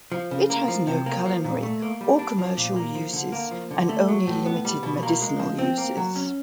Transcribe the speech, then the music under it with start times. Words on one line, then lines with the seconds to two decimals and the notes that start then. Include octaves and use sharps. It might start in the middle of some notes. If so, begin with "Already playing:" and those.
It has no culinary or commercial uses and only limited medicinal uses.
0.12 F3
0.31 C#3
0.50 A#3
0.68 F3
0.87 C3
1.06 A#3
1.26 F3
1.44 A#2
1.63 A3
1.82 A#3
2.01 G3
2.19 D4
2.38 F3
2.57 A#2
2.76 A#3
2.95 F3
3.13 D3
3.32 A#3
3.51 F3
3.71 D3
3.89 A3
4.08 F#3
4.27 A2
4.46 B3
4.65 G3
4.83 B2
5.03 A#3
5.22 G#3
5.39 F3
5.58 C4
5.78 A#3
5.97 F#3
6.16 C#4